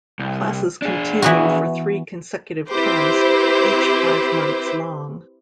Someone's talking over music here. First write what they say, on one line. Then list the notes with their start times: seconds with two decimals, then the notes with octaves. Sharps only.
Classes continue for three consecutive terms, each five months long.
0.19 C2
0.82 D4 G#4
1.22 E3 B3 F#4
2.69 C4 E4 G4 B4 C5